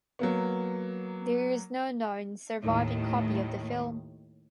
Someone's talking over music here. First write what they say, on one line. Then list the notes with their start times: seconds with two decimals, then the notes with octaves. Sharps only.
There is no known surviving copy of the film.
0.19 F#3 A#3 B3
2.63 D#2 A2 D#3